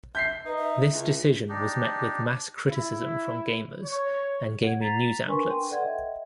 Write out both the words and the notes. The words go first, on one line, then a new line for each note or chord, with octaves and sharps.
This decision was met with mass criticism from gamers and gaming news outlets.
E5 G6 B6 C7
D#4 B4
E5
C#2
D4 D#4 G4
E4
C#5
F#5 G#6
A#5 A6 B6 C7 D#7 F7
D4 A#4 B4 G#5 C6 C#6
G5 C6 D#7
A4 B4 D5 F#5 G#6
D#5 E5 G5